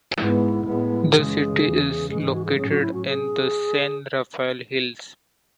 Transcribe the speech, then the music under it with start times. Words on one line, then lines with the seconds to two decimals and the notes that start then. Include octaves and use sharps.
The city is located in the San Rafael Hills.
0.18 G#2 G#3 B3 E4
0.66 A2 G#3 B3
1.14 F#2 C#3 E3 G#3 G#4
1.62 E2 C#3 E3
2.10 G#2 E3 G#3 G#4
2.22 G#4
2.34 F#4
2.45 G#4
2.57 A2 F#3 C#4 G#4
2.70 F#4
2.81 E4
2.94 F#4
3.06 G#4